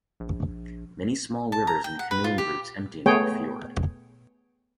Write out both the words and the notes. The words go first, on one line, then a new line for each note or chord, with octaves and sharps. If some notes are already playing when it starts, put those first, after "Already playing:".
Many small rivers and canoeing routes empty into the fjord.
A#1
A5
A#5
G5
F#5
B4
F4
G4
A3 B3 G#4 C#5 G5